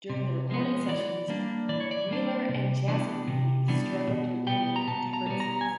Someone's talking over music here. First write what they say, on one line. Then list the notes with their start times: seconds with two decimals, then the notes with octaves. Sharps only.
During the recording sessions, Wheeler and Jazzie B struggled with creative differences.
0.10 C3
0.50 F3 G#3 B3
0.88 E3 D5
1.28 G3 A#3 D4
1.69 E3 D5
1.80 C#5
1.91 D5
2.08 G3 A#3 D4
2.49 C3
2.88 E3 G3 B3 D4
3.27 C3
3.68 E3 G3 B3 D4
4.07 B2
4.47 G3 B3 G5
4.76 A#5
4.87 B2 A5
5.14 A#5
5.26 G3 B3
5.40 A#5
5.61 G#5